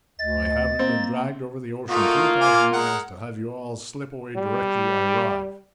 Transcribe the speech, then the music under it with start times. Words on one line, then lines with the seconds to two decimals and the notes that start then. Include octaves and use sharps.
I haven't been dragged over the ocean three thousand miles to have you all slip away directly I arrive.
0.19 D2 D#5 A6
0.79 A#3 C4
1.90 A3 A#3 D#4 F4 F#4
2.41 F5 G#5 D6
2.73 G#3 A#4 F#5
4.36 G3